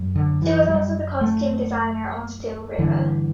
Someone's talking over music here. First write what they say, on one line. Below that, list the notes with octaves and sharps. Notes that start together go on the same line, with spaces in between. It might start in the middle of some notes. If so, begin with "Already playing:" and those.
She was also the costume designer on "Still River".
Already playing: F#2
D3
E3
G3
A3
G2 D3 E3